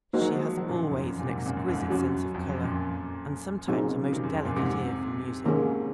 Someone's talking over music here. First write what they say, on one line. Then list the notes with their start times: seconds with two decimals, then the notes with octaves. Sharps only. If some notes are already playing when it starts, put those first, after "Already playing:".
She has always an exquisite sense of colour and sometimes a most delicate ear for music.
0.13 G#3 A#3 D#4 F#4 C5
0.22 F#3
0.31 F3 G#3
0.57 D#3 F#3
0.69 F#2 A#2
0.91 F2
1.02 F#2
1.19 A#2
1.24 G#2 C3
1.35 G#2 C3
1.46 F#2 A#2
1.57 F#2
1.68 F2 G#2
1.90 F#2 F#3 C#4 F#4
2.34 F2
2.49 F#2
2.64 F#2 A#2
3.67 A#2 C#3 F#3 C4 D#4 G#4
4.01 C#3
4.12 C3 D#3
4.23 F#2
4.34 F2
4.45 F#2 A#2
4.56 G#2 C3
5.45 G#2 C3 D#3 A#3 C#4 G#4